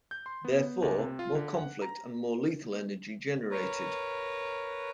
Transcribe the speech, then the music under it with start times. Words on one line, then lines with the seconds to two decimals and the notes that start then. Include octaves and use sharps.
Therefore, more conflict and more lethal energy generated.
0.11 G6
0.26 C6
0.45 B3
0.82 C#2
0.98 C3
1.19 F4
1.35 D3
1.57 F#5
1.82 A#5
3.51 A#4 B4 C#5